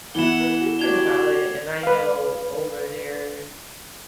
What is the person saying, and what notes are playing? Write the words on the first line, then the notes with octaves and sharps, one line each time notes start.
I'm thinking about it, and I know over there
E3 B3 E4 F#5 E7 G7
D4 F#4 G4 G#6 F7 G7
B4 F5